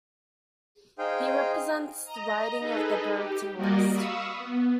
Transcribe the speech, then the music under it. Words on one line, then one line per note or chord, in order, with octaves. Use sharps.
He represents the riding of Brampton West.
D#4 G#4 C5 F5 G5
D#5 A#5
D#4 G#4 A4 B4 D#5
G4
G3 A#3 F#4 A#4 D5 D#5
F5 B5 C#6 D#6 E6
B3